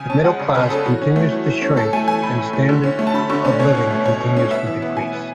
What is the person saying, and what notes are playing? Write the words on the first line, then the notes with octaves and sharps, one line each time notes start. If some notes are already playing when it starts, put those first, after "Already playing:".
The middle class continues to shrink and standard of living continues to decrease.
Already playing: C#3 G#5
C#4 A5
G#3 F#5
C#3 D5
C#3 B4
C#4 A4
E3 F#4
C#4
A3
E3
E3
C#4
A2 A4
A3 G#5
E3 G#5
A2 B5
A2
A3
D3
C#4
A3
A5
D3 B5
D3 C#6
C#4 D5
B2 C#5
C#4
A3
B2 C#5
B2
C#4
B3 E5
E3
B3
E3 G#5
B3